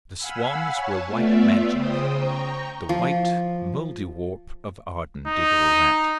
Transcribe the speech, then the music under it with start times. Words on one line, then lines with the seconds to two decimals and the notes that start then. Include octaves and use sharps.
"The swans were white magic--the white Mouldiwarp of Arden did all that."
0.17 F5 F#5 G#5 B5 E6
0.72 C#5 G#5 A5
1.07 A3 B3 F4 D5 E5
1.71 C#3 C5 G5 D#6
2.16 G5 A#5 C#6
2.89 F3
5.27 D#4